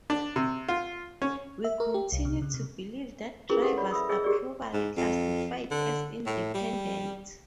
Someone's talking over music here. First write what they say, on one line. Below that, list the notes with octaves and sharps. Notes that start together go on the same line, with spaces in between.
We continue to believe that drivers are properly classified as independent.
D4
C3
F4
C#4
E5
A#4
G4
C2
C3
C#3
C3
C#4 E4 F4 G#4 A#4 B4
G4 A4 B4 D#5 F5 F#5
C#5 D5 B5
E5 B5 D#6 E6
G#4 C#5 D#5 E5 E6
G4 G#4 A#4 C#5 D5
G#2
F2
D3
A2
G3